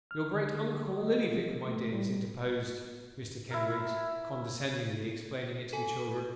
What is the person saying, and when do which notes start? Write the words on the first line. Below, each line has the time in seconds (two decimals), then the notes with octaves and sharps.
Your great-uncle, Lillyvick, my dears!' interposed Mr Kenwigs, condescendingly explaining it to the children.
0.11 F6
0.33 D3
0.97 D#5
1.24 F4
1.37 F3
1.68 A3
1.93 G3
3.50 E4 A#4
5.73 A4 G#5